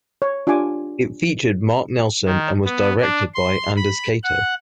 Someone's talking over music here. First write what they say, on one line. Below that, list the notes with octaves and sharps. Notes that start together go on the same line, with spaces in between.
It featured Mark Nelson, and was directed by Anders Cato.
C#5
D4 F4 G4 G#5 D6
D#3
B3
D4
C6
B5
F#5